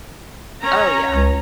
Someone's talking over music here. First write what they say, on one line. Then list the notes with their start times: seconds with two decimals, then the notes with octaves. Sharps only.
Oh, yeah.
0.61 C#4 A#5
1.11 C#2